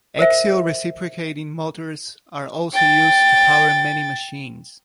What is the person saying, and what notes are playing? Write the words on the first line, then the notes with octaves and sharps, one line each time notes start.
Axial reciprocating motors are also used to power many machines.
A#4 C5 E5
G5 A6